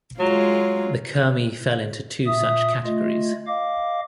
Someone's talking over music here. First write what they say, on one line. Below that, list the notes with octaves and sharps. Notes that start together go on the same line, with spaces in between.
The Kurmi fell into two such categories.
F#3 G#3 F4
A#2 E5 D#6
A3 F4 D#5
D#5 F5 D6